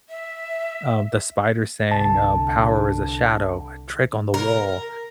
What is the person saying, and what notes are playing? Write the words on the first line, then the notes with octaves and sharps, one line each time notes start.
um, the Spider saying, uh, "Power is a shadow, a trick on the wall."
E5
C2 D3 A5
A#4